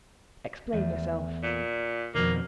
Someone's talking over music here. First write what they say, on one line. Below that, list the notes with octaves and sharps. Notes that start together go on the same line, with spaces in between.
"Explain yourself."
E2 A3
A#2
F2 B2 D#3 A#3